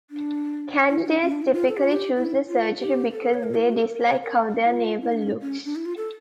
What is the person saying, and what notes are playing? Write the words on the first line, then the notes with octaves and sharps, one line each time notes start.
Candidates typically choose the surgery because they dislike how their navel looks.
D4
E4
D4
C#4
D4
E4
F4
A4
G4
F4
G4
E4
F4
G4
A4
C#5
A#4
E4
F4
G4
A4
A#4
C#5
A#4
E4
F4
E4
D4
C#4
C#4
D4
E4
F4
A4